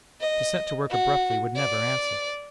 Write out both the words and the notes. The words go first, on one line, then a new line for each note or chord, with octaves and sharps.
To set to work abruptly would never answer.
D#5
F#4
D5